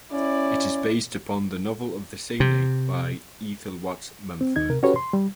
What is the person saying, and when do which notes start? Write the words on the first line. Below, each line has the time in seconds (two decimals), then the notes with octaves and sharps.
It is based upon the novel of the same name by Ethel Watts Mumford.
0.12 C#4 E4 D5
2.40 C3
4.41 C4
4.56 D#2 D#4 G#6
4.70 C3 A#4
4.83 C#4 F#4 G4 A4 B4 C#5
4.96 C6
5.13 G3